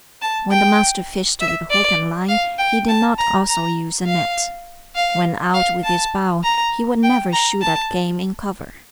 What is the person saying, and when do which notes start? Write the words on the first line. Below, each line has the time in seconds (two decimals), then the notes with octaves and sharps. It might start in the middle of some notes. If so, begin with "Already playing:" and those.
When the Master fished with hook and line, he did not also use a net. When out with his bow, he would never shoot at game in cover.
0.22 A5
0.51 G5
1.41 E5
1.70 D5
2.28 F5
2.58 G5
2.88 A5
3.18 A#5
3.48 A#5
4.06 F5
4.95 F5
5.54 F5
5.84 A5
6.43 A#5
7.03 G5
7.33 A#5
7.62 A5